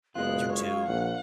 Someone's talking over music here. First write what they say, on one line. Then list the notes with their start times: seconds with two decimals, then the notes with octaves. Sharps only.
You do.
0.15 F#1 G#3 B3 F4 F#6
0.52 C#5 F5
0.88 A#1 F#5